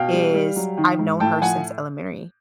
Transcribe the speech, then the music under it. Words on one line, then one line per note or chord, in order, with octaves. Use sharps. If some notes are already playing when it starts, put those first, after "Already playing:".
is I've known her since elementary,
Already playing: B2 F5 G5
G3
G3
F#3
D#3
G#2
A2 G5 A5
F3 F#5 G#5